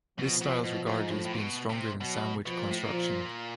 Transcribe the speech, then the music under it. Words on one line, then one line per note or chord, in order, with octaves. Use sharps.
This style is regarded as being stronger than sandwich construction.
B2 F3
B2
B2
A#2
G#2
A2
A2
A#2
B2
C3
B2 F#3
B2 F3
A#2
A2
A#2
F3